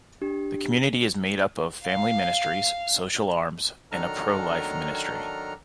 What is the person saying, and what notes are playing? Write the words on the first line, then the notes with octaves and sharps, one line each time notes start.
The community is made up of family ministries, social arms, and a pro-life ministry.
D4 G4
F5
D#3 F#3 D4 A4 A#5 F6